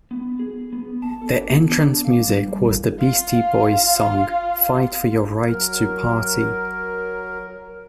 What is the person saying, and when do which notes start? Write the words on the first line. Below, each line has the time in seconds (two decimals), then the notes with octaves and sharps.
Their entrance music was the Beastie Boys' song "Fight For Your Right to Party".
0.11 B3
0.39 G#4
0.73 B3
1.02 A5
1.22 A4
1.34 D4
1.49 B3
1.67 D4
2.05 F5
2.21 G3
2.48 G3
2.99 F4 F5
5.42 F#3 A#4